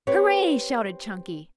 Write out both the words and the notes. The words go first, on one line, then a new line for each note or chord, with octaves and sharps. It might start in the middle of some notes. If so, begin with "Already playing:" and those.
"Hooray!" shouted Chunky.
C4 G4 B4 C#5